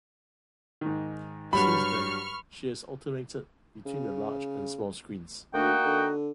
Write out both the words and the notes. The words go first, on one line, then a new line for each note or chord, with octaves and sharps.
Since then, she has alternated between the large and small screens.
G#2 D#3
G2 F#3 G3 B5 C#6 F6
C#3
D2 A#3 D#4 F#4 G5
D3